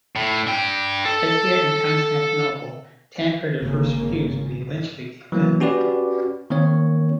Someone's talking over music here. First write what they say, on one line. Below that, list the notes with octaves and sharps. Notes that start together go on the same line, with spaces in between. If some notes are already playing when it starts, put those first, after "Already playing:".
As he had in Constantinople, Tancred at first refused, but he eventually gave in.
A2
D4 G5
A4
G#1 C#3 A#3
E3 F#3 A#3
C#4 F#4 G4 B4 D5
D#3 A#3 C4 C#5